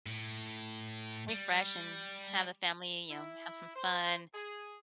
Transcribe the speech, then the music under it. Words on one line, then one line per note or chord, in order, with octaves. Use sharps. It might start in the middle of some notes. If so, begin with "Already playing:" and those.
Refresh and have a family you know, have some fun.
A2
G3
E4
C5
G#4